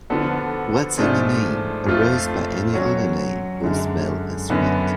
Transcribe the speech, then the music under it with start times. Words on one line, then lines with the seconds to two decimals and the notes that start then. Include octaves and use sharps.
What's in a name? A rose by any other name would smell as sweet.
0.10 D3 F3 B3 F#4 A4
0.98 G#2 F3 A3 D4
1.86 F2 F3 A3 F4
2.74 F#3 C#4 F#4 C#5
3.61 F#2 D3 G#3
4.50 F#2 D3 F#3 B3